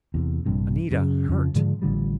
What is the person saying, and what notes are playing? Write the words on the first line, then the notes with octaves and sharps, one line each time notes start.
Anita hurt!
E2 C3
A#1 G2 C3
F#2 C#3
F2 C#3 F3
G#2 D3 F3 G#3
A1 D3 F3 G3